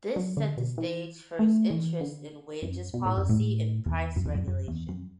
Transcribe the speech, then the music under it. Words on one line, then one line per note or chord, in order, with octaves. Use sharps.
This set the stage for his interest in wages policy and price regulation.
F#3
D3
B2
E3
A3
E3
D3
F#2
B2
A2
F#2
A2
E2
F#2
E2
F#2
F#2
E2
F#2